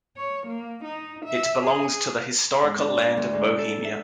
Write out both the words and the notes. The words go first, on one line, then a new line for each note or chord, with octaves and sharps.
It belongs to the historical land of Bohemia.
C#5
A#3
D#4
E5
G#4
G#2
D4
D2
G#2
A4
E5